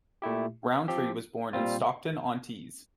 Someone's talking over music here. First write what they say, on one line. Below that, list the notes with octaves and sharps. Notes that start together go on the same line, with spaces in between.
Rowntree was born in Stockton-on-Tees.
A#2 A3 E4 G4
F3 C4 G4
A#2 G3 C4 F4